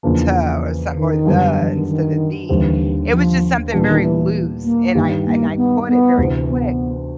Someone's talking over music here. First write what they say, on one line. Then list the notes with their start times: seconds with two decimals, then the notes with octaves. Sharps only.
ta or something or, "the," instead of, "the." It was just something very loose, and I I and I caught it very quick,
0.03 E2 C#3 F3 A#3 D4
0.95 D#3
1.26 F#2 D3 G3 B3 D4
1.57 E3
1.73 D#3
1.88 D#3
2.48 D#2 D3 E3 G3 C4
3.10 F3
3.72 A#2 E3 G3 B3 D4
3.88 D#3
4.02 E3
4.65 A#3
4.95 G2 D#3 G3
5.26 A#3
5.57 B3
5.88 B3
6.18 D2 C3 E3
6.49 B3